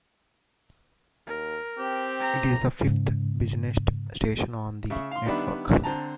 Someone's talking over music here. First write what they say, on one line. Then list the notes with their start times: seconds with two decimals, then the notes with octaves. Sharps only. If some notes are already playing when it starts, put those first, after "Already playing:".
It is the fifth busiest station on the network.
1.27 D#2 A#4
1.79 C4 G4
2.20 A#5
2.83 G#2 C#3
4.90 C#3 E5 C#6
5.11 F5 C6
5.26 D#3 G3 B3 D4 E5 B5
5.84 D3 C4 A5 A#5